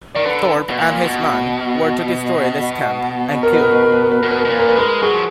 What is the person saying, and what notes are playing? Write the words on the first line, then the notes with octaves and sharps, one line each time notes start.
Thorpe and his men were to destroy this camp, and kill you.
D#3 D5
D3 B4
B2
A#2
B2
A#4
B4
A#4
B4
A#4
B4
A#4
B4
B2 A#4
B4
A#4
B2
A#2 B4
A#4
B4
G#3 A#4
F#3 G#4
F3